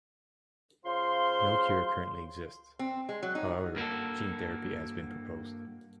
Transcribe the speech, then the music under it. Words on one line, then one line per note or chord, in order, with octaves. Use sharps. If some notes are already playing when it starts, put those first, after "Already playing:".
No cure currently exists; however, gene therapy has been proposed.
C#3 F4 C5 F5 C6
C4
G#3
F#3
D#4
G2 A#3 F#4 A4